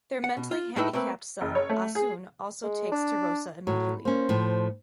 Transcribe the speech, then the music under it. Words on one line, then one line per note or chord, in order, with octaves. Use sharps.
Their mentally handicapped son Ah Soon also takes to Rosa immediately.
F#5
B2
F4
A2 A3 D#4 E4 B4 E5
A3 A#3 C4 B4
F#1
C#5
A3
G#4
G#3
D4
A2 F#3
A#3 C#4 C5
A2 F3